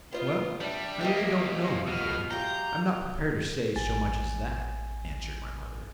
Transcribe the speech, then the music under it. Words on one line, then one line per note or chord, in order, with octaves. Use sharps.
"Well, I really don't know, my boy; I am not prepared to say so much as that," answered my mother.
B3 F4 C5 D#5
G3 D4 E5
G3 A#3 G4 C5 D#5
B2 F4 F6
F#2 F4 G4 A#5 G6
A1 G#5 A6